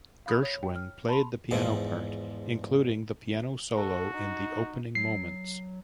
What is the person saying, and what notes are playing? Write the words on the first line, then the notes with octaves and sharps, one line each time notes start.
Gershwin played the piano part, including the piano solo in the opening moments.
F5 B5 D#6
C#5 F7
G5
F6
A5 B5 C6 F7
E2 G#2 F3
F#4 A4
D#4
F#3 C7